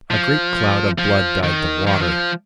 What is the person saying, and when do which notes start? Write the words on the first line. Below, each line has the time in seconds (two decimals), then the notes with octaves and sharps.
A great cloud of blood dyed the water.
0.11 F3
0.98 F3
1.43 D#3
1.87 F3
1.94 D#3
2.01 F3